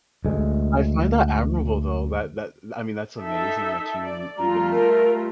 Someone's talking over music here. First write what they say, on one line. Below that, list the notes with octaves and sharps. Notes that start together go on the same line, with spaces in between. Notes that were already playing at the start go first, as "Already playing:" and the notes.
I find that admirable, though, that that I mean, that's amazing that you even it, uh
D2 G#3
D#4 A4 E5
D5
G3 A3 F4 A#5
A#4